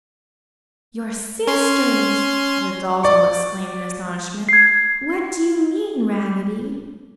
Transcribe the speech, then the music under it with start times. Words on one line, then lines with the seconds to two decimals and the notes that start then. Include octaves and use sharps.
"Your SISTERS!" the dolls all exclaimed in astonishment, "What do you mean, Raggedy?"
1.47 C#4 C6
3.03 D5 C#6
4.49 G#6 C7